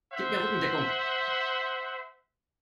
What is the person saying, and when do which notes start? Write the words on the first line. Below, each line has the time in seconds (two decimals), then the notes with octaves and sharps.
Gib mir Rückendeckung.
0.12 C5 E5 F#5